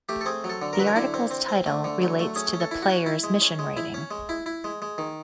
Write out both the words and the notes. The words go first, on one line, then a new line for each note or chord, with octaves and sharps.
The article's title relates to the player's mission rating.
A3 G4
A4
C4 G#4
F#3
A4
D3
A#4
F#3 B4
A#4
D3 E4
C4
C4
C4
A3
D3
F#3
A3
C#4 G#4
C#4
A4
E4
F#4
C#4
E4
G#3
C#4
G#3
E4
C#4
G#3
E4
E4
G#3
G#3
D#3